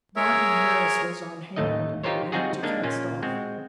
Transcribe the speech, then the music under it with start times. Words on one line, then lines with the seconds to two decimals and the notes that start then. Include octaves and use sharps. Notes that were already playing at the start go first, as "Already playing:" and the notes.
Martin Harris was on hand, and ready to cast off.
0.16 G#4 A#4 C#5 E5
1.56 A1 D#2 A3 D#4 D#5
2.03 D#4 F4 G4 A#4 C5 C#5
2.32 G3 C4 D#4 F4 F#4 G#4
2.63 G#3 A#3 D4 D#4
2.83 A#2 A#3 C#4 F4
3.22 G#3 C4 F#4